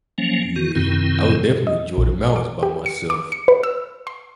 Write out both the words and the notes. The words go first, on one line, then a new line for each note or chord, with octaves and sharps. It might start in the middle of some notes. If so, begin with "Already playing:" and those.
Yeah, I would definitely enjoy the mountains by myself.
F3 F#3 A#3 C#4
D#3 F#4
F#2 C3 D#3 C4 E4
D#5
A#1
D6
G4
C#7
D6
C#7
B4
E6
C6